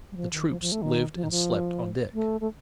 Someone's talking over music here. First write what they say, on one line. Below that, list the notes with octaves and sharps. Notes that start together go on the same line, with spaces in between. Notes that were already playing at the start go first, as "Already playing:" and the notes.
The troops lived and slept on deck.
G3
F3
D#3
F3
F3
A3
D#3
F3
D#3
F3
A3
A3